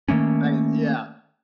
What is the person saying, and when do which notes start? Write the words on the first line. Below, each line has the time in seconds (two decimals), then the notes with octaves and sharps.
Right, yeah.
0.09 D#3 A3 A#3 C#4